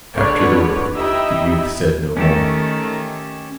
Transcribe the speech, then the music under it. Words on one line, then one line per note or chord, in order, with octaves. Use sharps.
After the reproof the youth said no more.
D3 G#3 B4 C#5 D5
D#4 E4 G4 D#5 E5
D#3 A3 C#4 G4 A4